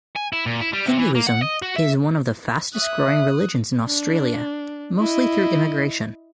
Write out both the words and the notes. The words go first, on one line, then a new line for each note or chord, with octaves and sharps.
Hinduism is one of the fastest growing religions in Australia mostly through immigration.
G#5
E4
A#2
E4
G3
C3
E3
A#3
F#5
D#5
F#4
E5
E4 C#5 E5 D#6 F#6
D4
E4 D#5